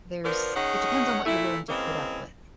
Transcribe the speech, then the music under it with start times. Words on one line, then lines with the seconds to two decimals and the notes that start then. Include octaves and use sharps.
there's it depends on what you're willing to put up with,
0.25 F3 B3 D4 A#4
0.56 D#3 C#4 G#4 F#5
1.25 A#2 A3 E4
1.69 E3 G#3 A#3 C4 C#4